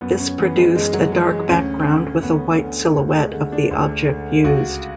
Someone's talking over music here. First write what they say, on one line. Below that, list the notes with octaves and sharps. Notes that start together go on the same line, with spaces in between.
This produced a dark background with a white silhouette of the object used.
F#2 B3
C#4
E3 B3
G#3
F#2 G#3
F#3
E3 G#3
G#3
D2 C#4
D3
D2 B3
D3
D2 A3
G#3
D3 A3
D4
D2
D3
C#2 F#4